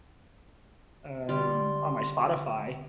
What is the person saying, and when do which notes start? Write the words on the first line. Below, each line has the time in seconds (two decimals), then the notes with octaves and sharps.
um, on my Spotify,
1.29 D3 G3 C6 F6 A6